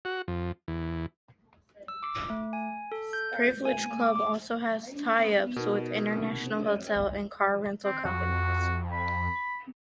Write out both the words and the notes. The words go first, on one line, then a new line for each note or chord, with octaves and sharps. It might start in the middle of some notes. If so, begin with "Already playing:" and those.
Privilege Club also has tie-ups with international hotel and car rental companies.
F#4
F2
E2
E6
D6
A3
G#5
A4
G6
G#5
D6
D6
B2 D#4 A#4
C4
F2 F#4
B5